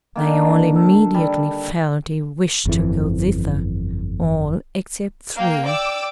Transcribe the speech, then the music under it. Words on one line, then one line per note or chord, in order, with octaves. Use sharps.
They all immediately felt a wish to go thither; all except three.
D3 D#3 A#3
A4
G3
G1 F2 E3
A#3 F5 G5
D5 G5 D6 E6